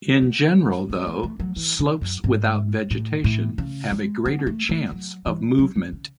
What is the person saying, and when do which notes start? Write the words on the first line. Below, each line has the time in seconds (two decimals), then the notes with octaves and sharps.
In general, though, slopes without vegetation have a greater chance of movement.
0.22 B3
0.90 B3
1.07 A3
1.23 A3
1.40 F#3
1.56 E3
1.79 C#3
2.01 F#2
2.24 G#2
2.91 A2
3.24 A2
3.58 C#3
3.91 G#3
4.26 B3
4.47 A3
4.69 A3
4.91 F#3
5.26 E3
5.59 F#3
5.76 E3
5.93 C#3